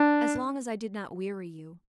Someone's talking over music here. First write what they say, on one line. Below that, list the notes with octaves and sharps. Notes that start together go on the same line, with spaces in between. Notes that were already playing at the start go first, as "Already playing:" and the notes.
"As long as I did not weary you."
Already playing: D4